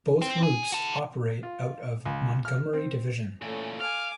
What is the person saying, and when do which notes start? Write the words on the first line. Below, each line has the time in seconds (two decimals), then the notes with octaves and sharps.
Both Routes operate out of Montgomery division.
0.22 C4
0.43 G#4
0.72 F#4 A4
1.43 F4
2.06 C#2
2.45 F6
2.73 C4
3.42 A#2 E3 A3 C#4
3.81 F5 G#5 D6 F6